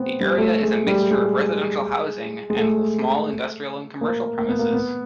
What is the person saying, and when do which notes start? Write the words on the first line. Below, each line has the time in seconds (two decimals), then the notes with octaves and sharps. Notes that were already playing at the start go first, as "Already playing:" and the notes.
The area is a mixture of residential housing and small industrial and commercial premises.
Already playing: B3 C4
0.21 G3
0.38 A3
0.62 G#3
0.87 G3
1.11 G#3
2.50 G#3
2.56 A3
4.01 A#3
4.38 A#3
4.49 B3
4.59 A#3
4.74 B3